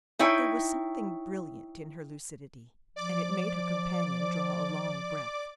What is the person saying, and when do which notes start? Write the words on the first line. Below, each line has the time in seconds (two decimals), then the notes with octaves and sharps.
There was something brilliant in her lucidity, and it made her companion draw a long breath.
0.19 D#4 E4 C#5 G5
2.96 F3 D5 D6